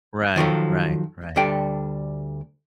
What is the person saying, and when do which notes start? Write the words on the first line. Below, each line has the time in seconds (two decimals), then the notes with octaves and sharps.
Right, right, right.
0.36 D#3 F3 F#3 A4
1.36 D2 G3 D4 A4 G5